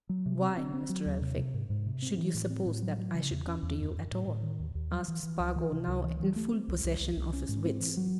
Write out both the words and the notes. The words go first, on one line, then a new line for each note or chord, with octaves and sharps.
"Why, Mr. Elphick, should you suppose that I should come to you at all?" asked Spargo, now in full possession of his wits.
F#3
C3
C4
C4
C4
F#3
D#2
C3
C3
G#2
G#2
C3
C4
E3
A2
C4
A2
F#3
F#3
C#3
E2
C#4
E2
F#2
F#2
A2
A2
D#3
D#2
D#2
F#3
E3
E3
C#2
E3
C3
C#2
E3
E3
A3
C4
C2
C2
C2
C2
C#4
G#2
C4
E3
F#3